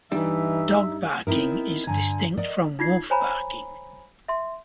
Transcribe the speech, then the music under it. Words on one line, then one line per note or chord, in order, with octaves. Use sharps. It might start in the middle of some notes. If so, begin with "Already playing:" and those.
Dog barking is distinct from wolf barking.
G2 E3 G3 D4 D#4 E5
B3 C4 D#4 E4 A#4
G2 D3 G#5 A#5
A#4 D5 D#5 F#5
D#4 F4 G#6 C7
C5 C#5 G#5 A#5 B5
E5 C6